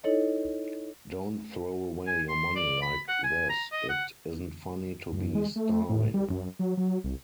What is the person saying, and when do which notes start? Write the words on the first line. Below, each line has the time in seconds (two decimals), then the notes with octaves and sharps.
Don't throw away your money like this. It isn't funny to be starving.
0.04 D#4 E4 A4 C#5 D#5
2.07 G#5
2.29 C6
2.56 D5
2.82 B5
3.08 F#5
3.24 G#5
3.50 A#5
3.72 D#5
3.89 F#5
5.13 F#2
5.35 G#3
5.56 A3
5.89 A2
6.14 G3
6.30 F#2
6.59 F#3
6.77 F#3
7.04 C2